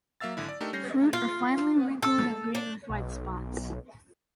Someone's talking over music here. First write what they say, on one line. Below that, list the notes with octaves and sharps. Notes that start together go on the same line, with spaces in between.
The fruit are finely wrinkled and green with white spots.
F#3 A#3 E5 F5 E6 A6
G#1 D3 E4
D5
A3 D4 D#4 G4 A4 A#4
G3 C#4 G6 A#6 C7
F4
A4
D4
B1